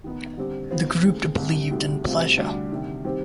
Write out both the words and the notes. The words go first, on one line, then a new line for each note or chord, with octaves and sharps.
The Group believed in pleasure ...
D#3 B3 D#4
D3 G3 C4 G4
D#3 B3 F4 C5
D#2 D#3 G#3 C4
C2 C3 G3
D2 C3 D#3 G3
D2 C3 G3 C4 F4
D2 D3 G3 D4 G4
C3 D#3 G3
D#3 G3 C4 G4 C5